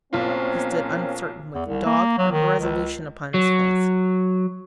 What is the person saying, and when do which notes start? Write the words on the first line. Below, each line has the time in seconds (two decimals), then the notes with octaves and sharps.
He stood uncertain, with dogged irresolution upon his face.
0.13 B1 A#3 C4 C#4 F4
1.55 E2
1.67 C2
1.86 A#3
2.18 F#3
2.32 D#3
2.60 C#2
3.34 F#3